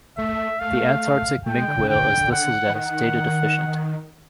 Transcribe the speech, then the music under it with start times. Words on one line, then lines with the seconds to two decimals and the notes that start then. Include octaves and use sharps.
The Antarctic minke whale is listed as Data Deficient.
0.18 A3 E5
0.60 A3 F5
1.46 A3 G5
1.57 G#3
1.68 D3
1.78 C#3
1.89 D3 G5
2.32 F#5
2.69 E3
2.74 D#3 F#5